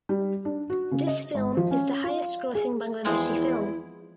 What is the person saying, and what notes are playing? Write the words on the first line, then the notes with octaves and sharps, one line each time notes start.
This film is the highest grossing Bangladeshi film.
G3
D4
F#4
C#3
D#5
G#1
F3
C#4
F4
G#4
E2 F3 G#3 C4 E4